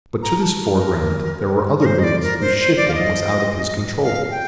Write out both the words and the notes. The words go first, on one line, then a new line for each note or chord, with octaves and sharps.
But to this foreground there were other moods whose shifting was out of his control.
A#5
A5
A#4
A#4
C5
D#5
D5
A#4
C5
C5
D5
F5
D#5
F5
G5